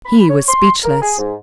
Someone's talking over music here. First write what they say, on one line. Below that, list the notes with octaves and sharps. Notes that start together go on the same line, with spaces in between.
He was speechless.
B5
C#5
C6
A#4
G#4
G#2